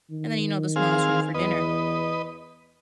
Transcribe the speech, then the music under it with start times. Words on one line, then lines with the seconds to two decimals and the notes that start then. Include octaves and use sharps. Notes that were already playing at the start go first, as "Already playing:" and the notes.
and then, you know, the smallest one for dinner,
0.11 D#3
0.76 C4 G#4 F5
1.34 E2 B4 D#5